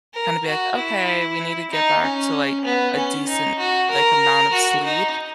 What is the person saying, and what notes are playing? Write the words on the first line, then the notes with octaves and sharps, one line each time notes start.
kinda be like, "Okay, we need to get back to, like, a a decent, like, amount of sleep,"
A#4
F#4
E4
D#4
C#4
B3
C#4
D#4
F#4
A#4
F#4
D#4